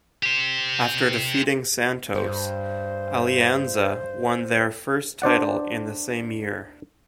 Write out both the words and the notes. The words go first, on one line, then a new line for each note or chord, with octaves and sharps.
After defeating Santos, Alianza won their first title in the same year.
G4 C5
G2 C5
D4 C5 D5 F#5